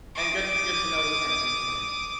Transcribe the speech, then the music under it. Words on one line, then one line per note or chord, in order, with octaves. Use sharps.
and good good to know what kind of things you're in.
D6 D#6